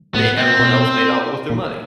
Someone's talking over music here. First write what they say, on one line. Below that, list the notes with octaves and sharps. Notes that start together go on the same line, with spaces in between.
They everyone else made out with their money.
A2 B3
C4
B2
A#2